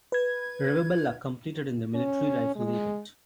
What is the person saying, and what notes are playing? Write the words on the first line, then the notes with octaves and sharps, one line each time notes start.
Rivabella competed in the military rifle event.
B4 G#6
C#4
G#3